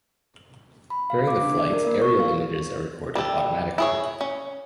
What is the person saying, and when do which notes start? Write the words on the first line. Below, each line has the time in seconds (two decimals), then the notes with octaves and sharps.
During the flight aerial images are recorded automatically.
0.90 B5
1.10 F5
1.27 D6
1.41 D4
1.58 D5
1.73 A#4
1.86 A#3
2.02 C#6
2.20 F5
3.15 G3 A4
3.78 E4 G#4 C#5
4.21 C#4